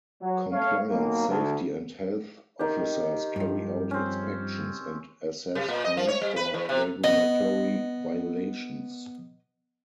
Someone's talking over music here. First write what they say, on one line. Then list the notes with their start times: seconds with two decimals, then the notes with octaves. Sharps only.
Compliance Safety and Health Officers carry out inspections and assess fines for regulatory violations.
0.21 F#3
0.52 A3 C#5 F5
0.89 B1 A#3
1.27 D2
2.59 D#3 G4
3.36 G2 F3
3.91 C4 C#4
5.55 C3
5.68 A#2
5.84 D#5
5.97 F3
6.08 C#5
6.22 G3
6.36 B4
6.54 E2
6.69 C3
7.04 B3 D#5